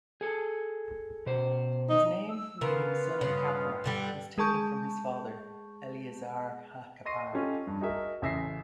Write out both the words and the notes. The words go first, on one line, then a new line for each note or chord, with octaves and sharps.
His name, meaning "Son of Kapparah", was taken from his father, Eleazar ha-Kappar.
G#4 A4
B2 C5
D#4
E6
C#3 B3 C#4 F4 A#4 B4
G2 C#3
G2 D3 G3
G#3 G#4 A5 C#6 G6
D#5 C6 C#6 A#6 C7 D#7
C#4 D#4 F4 G4 A4
G2
D#4 F#4 G#4 A#4 E5
A1 C#3 E5 E6 A#6 C7